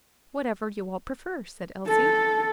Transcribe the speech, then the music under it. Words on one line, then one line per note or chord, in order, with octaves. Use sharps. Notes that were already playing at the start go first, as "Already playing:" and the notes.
"Whatever you all prefer," said Elsie.
A4